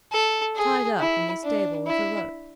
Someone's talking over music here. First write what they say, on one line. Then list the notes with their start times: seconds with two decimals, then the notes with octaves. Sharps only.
'Tied up in the stable with a rope.'
0.12 A4
0.55 G#4
0.99 E4
1.43 D4
1.87 E4